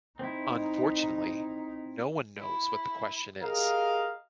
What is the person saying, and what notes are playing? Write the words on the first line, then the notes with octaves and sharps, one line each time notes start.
Unfortunately, no one knows what the question is.
C4 D#4 E4
E4
G4 G#4 A#4 D#5 F5